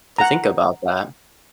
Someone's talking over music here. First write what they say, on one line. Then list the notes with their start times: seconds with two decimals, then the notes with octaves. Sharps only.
to think about that.
0.18 F#5 A#5